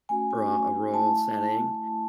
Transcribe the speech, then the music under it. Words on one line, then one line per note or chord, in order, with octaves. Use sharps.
ru a rural setting,
A3 C#4 F#4 G#5
G#5
A3 E4 A5